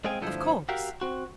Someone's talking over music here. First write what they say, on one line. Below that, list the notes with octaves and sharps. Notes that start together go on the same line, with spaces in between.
"Of course!"
G#3 C4 G#4 F5 G5 G#5
D2 G2 F3 E4 A4 C5
F#4 G4 A#4 E5 F5
C4 F#4